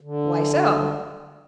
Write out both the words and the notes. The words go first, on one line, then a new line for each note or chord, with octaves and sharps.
"Why so?"
D3